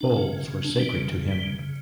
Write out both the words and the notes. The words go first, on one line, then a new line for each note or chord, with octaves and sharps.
Bulls were sacred to him.
D4
C#3
C#3
C#3
D4
G3
C#3
C#3
G3
C#3
C#3